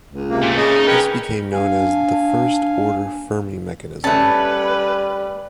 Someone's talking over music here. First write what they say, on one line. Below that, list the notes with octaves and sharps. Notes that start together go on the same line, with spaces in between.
This became known as the "First Order Fermi Mechanism".
C#2
C3 A#3
A#2 A3
C#3 D#5
D#4
C#4 A#4 B4 G5
D4 F5 G#5
G3 A3 C#4 B4 A5